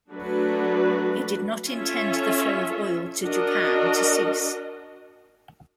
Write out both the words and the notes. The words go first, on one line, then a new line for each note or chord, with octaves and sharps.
He did not intend the flow of oil to Japan to cease.
F#3 A3 D4 F#4 B4
C#4 F4 A4 C#5 E5
D4 F#4 A#4 D#5